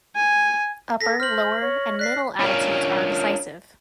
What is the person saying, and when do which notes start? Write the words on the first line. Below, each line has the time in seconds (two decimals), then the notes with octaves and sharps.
Upper, Lower and Middle attitudes are decisive.
0.16 G#5
1.01 A4 A#6 B6
1.20 C5 F6 F#7
1.61 C#5
1.99 D5 F#6 B6 C7
2.39 C#4 D4 F4 A#4